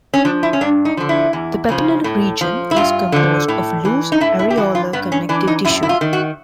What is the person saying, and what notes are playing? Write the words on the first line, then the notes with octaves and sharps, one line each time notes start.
The papillary region is composed of loose areolar connective tissue.
C#4
F3 D4
E4
C#4
G2 D4
D#4
D3 F3
E4
E2
C#3 F3
A2
F3
E4
G2 F4
D3 F3
A2
E3
D#4
A2 E4
E4
G4
E3 F#4
F4
G2 B3
C#4
E3 D4
D#4
F#2 E4
E4
F4
D#3
F#4